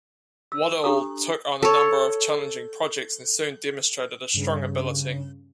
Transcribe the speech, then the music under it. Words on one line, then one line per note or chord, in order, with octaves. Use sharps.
Waddell took on a number of challenging projects and soon demonstrated a strong ability.
E6
D4 G4 A4 A#5 D#6
A4 C#5
G2 C#3